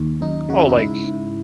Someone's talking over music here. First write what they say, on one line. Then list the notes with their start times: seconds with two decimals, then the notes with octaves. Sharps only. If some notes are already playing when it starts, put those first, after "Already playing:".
"Oh, like,
Already playing: D#2
0.21 F#2 D#4
0.49 C#3 F#4
0.58 E4
0.69 D#4
0.77 G#2 E4
1.04 G#2